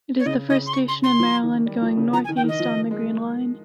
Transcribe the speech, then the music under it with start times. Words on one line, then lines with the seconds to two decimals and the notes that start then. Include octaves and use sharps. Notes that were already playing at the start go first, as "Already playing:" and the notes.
It is the first station in Maryland going northeast on the Green Line.
0.19 C#5
0.26 C#3 D#5
0.49 C#3 D#5
0.66 C6
0.72 C#6
0.88 C6
1.03 C6
1.20 F3
1.43 D#3
1.66 G3
1.82 F3
1.97 C#3
2.13 F3 A#5
2.24 G#5
2.29 D#3
2.36 G5
2.44 D#3
2.48 D#5
2.60 F3
2.91 G#3